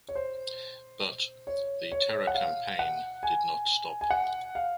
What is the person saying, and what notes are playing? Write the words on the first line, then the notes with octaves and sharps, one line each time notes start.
But, the terror campaign did not stop.
C#5
C5
C#5
C#5
F#5
F5
F#5
G#5
G#5
F#5
F5